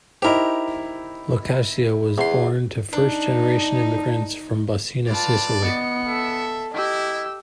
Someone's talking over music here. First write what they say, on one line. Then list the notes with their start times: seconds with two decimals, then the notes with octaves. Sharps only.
Locascio was born to first generation immigrants from Baucina, Sicily.
0.22 D#4 E4 G4 A#4 C5
2.18 E2 C6
2.93 D4 D#4
5.08 F4 B4 D5 A5
5.62 B3 D#5 C#7
6.08 A4 E5
6.74 E4 G4 D#5 E6